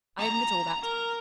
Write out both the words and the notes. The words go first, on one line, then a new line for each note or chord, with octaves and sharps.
I admit all that.
A#5
A#4